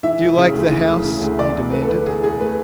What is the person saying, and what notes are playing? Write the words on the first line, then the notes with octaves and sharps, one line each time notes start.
"Do you like the house?" he demanded.
E3 E5
E1
C#3
D2
E3
E1
C#3
D2
E2 D5
E2
A3 B4
A4
D3 B4
E2 G#4
E2 G#4
A3 B4